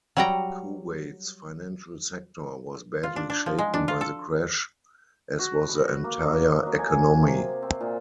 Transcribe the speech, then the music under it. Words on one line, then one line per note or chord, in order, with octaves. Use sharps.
Kuwait's financial sector was badly shaken by the crash, as was the entire economy.
F#3 G3 F#5 G5 A#5
F4
D4
D4
F3
G#3
D4
F4
A4
F#4
B5
A#3
D#5
F#3
G#5
C3
C4
A#2